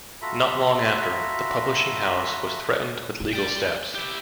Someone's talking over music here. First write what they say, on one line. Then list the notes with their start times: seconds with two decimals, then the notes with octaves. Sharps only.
Not long after, the publishing house was threatened with legal steps.
0.22 F4 F#4 A4 E5 A#5 B5
3.33 D5 G5
3.95 E4 G4